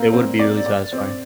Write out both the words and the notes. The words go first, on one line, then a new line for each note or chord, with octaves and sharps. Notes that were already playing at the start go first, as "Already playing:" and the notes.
it would be really satisfying.
Already playing: A#3 C4
C4
D5
D5
C4